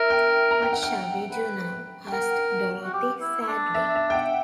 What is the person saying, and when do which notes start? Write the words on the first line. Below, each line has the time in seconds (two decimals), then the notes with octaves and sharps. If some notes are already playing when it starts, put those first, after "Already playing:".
What shall we do now? asked Dorothy, sadly.
Already playing: A#4 E5
0.10 G5
0.51 A#5
0.62 G5
0.73 F#5
0.83 G5
1.32 B4
2.07 G5
2.12 A#4 F#5
2.84 F#4
2.93 G4
3.21 E4
3.41 E4
3.48 D4
3.74 E5
3.95 E5
4.10 G5
4.15 F#5